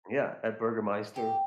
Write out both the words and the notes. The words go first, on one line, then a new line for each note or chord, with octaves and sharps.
yeah, a Bürgermeister.
G4